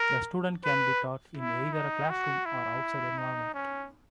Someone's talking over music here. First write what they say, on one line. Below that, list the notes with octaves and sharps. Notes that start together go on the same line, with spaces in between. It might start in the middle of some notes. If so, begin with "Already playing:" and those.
The student can be taught in either a classroom or outside environment.
Already playing: A#4
B4
E4
D#4
F#4
E4
D#4
C#4